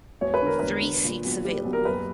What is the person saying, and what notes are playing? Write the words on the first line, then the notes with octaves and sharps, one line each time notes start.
Three seats available.
E1 C#5
B4
D3 A#4
E1 B4
D3
A#2
B1
G3
B1
A#4
F#1 B4